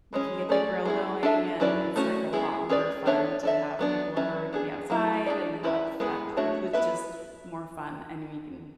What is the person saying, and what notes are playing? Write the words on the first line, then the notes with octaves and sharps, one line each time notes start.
we can get the grill going, and it's like a lot more fun to have people over. We could be outside and have I don't know. The food's just more fun, and we can
E3 G#3 C#4
A3 C#4 G#4 D5
G#3 B3 E4 G#4
D4 A4 E5
F#3 C#4 E4 B4 D5
A3 C#4 F#4
G#3 B3 E4 G#4
C#4 G#4 B4 D5
B3 D4 A4 C#5 E5
D4 A4 E5
F#3 B3 D4
F#3 C#4 E4 B4 E5
B3 D4 G#4
F#3 B3 E4
D4 G#4 D5
C#4 E4 B4 E5
G#3 B3 E4 G#4 B4
A3 D4 F#4 C#5 E5
B3 E4 B4 E5